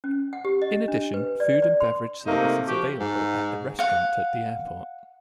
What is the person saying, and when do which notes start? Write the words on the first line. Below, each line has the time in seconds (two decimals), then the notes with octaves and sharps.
In addition, food and beverage service is available at a restaurant at the airport.
0.04 C#4
0.33 F#5
0.45 G4
0.62 D#5
0.88 D4
1.14 B4
1.40 D5
1.62 D5
1.81 C6
2.25 C3 A3 A#3 D#4
2.67 F3 F#4 G4
3.00 G#2
3.79 F5 F#5